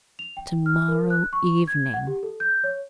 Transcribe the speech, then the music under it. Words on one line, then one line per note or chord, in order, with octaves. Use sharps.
To-morrow evening!
F7
G5
F6
A#4
F#6
C#6
G#6
F#5
G4
A4
G6
C#5